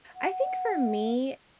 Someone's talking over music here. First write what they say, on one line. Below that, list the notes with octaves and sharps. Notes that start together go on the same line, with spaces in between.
I think for me,
F#5